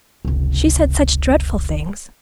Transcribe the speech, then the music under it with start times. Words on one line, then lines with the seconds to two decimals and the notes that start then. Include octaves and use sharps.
"She said such dreadful things."
0.25 F1 C#2